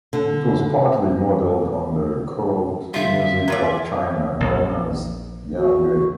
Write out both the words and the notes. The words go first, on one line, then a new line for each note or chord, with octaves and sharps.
It was partly modeled on the court music of China, known as "yayue".
D3
D3 G3 F4 E5
F#3 F4 A#4 D5
A#1
F#4